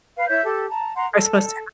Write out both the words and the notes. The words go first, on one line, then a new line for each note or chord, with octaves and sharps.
are supposed to
B4 F5
E4 C#5 E5 G6
G4 A4
A5 A#5
F#5 A#5 C6
A4